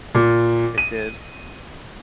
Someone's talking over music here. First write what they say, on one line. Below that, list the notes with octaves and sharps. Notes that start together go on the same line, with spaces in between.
It did?
A#2
D#7